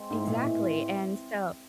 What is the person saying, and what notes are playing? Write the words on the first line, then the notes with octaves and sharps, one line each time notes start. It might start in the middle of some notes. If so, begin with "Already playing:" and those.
Exactly. And so
Already playing: G#3 C4
G#2 E3
A#2 G#3
A2 E3
C4